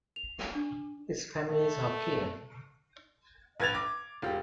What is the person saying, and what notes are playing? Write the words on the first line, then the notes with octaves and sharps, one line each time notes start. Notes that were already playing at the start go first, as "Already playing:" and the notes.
His family is Hokkien.
F7
D4
A3
A#1 B4 G#6 A6 F7
D6
E1 F4 G4